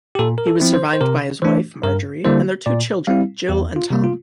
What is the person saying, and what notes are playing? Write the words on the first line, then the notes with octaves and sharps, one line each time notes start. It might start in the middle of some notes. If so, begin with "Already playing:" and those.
He was survived by his wife, Marjorie, and their two children, Jill and Tom.
G4
A#2 A4
A#4
A4
F3 C4 E4
C5
C5
C3 A#4
E3 A3 D4 C5
G2 A#4
D3 G3 A#3 E4 C5
A#2 D5
G3 C4 E4 F5
E2 G4
F4
C3 G3 A#3
F4